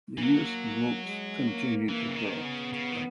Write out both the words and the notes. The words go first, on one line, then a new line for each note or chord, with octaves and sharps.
The youth groups continue to grow.
E3
F#3 A#3
G#3
A#3
E3 A#3
C#3
D#3
B3
C#3
C#3
D#3